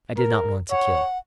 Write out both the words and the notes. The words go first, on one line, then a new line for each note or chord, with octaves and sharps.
I did not want to kill.
A#4
C#5 F#5